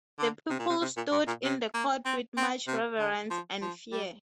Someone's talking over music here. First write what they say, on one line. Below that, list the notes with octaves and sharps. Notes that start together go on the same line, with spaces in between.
The people stood in the court with much reverence and fear.
D3
C3
A#2
C3
C3
A#2
G2
A#2
C3
A#3
C4
C4
C3
D3
F3
F3
G3